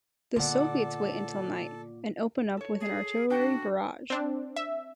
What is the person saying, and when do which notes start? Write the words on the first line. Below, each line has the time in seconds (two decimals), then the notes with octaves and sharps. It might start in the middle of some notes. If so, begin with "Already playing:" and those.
The Soviets wait until night, and open up with an artillery barrage.
0.36 A#2 D3 B3 A4 D5 F#5
2.57 A4 C#5
2.80 G#4
3.30 D4 F#4 A4 G5
4.10 C4 D4
4.56 E5